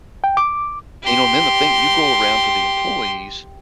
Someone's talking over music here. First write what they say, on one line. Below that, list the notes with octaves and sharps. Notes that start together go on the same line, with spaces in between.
You know? And then the thing you go around to the employees
G5
D6
G4 C6